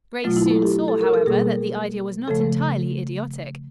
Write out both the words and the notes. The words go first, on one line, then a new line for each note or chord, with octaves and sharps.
Grace soon saw, however, that the idea was not entirely idiotic.
B2 F#3 A3 F4
E4
A4
G4
A4
A#4
A4
B2 G3 A#3 G#4
C#3 F3 A3 A4